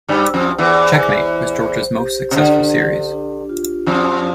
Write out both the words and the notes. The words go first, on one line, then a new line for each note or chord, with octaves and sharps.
"Checkmate" was George's most successful series.
G2 G3 C5
F2 F3
C5
E2 E3
C5
C5
C5
G4
C3
D3 G4
G4
D4
F4
F2 F3 F4